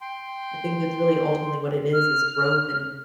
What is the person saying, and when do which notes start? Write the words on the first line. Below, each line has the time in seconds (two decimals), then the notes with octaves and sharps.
I think that's really ultimately what it is, is growth, and
0.01 G5 C6
1.92 F6